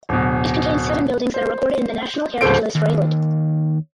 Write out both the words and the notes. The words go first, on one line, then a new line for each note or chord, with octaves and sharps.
It contains seven buildings that are recorded in the National Heritage List for England.
D1 B2
C5
D1 C#3 A4 C5 D7
D#2